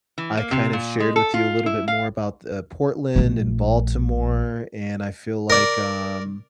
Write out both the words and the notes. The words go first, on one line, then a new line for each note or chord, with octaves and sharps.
I kind of shared with you a little bit more about th uh, Portland and Baltimore, and I feel like, um,
E3
A#3
C3
A#2
G#3
A4
F4
E4
F5
A#1 A3
A#4 D5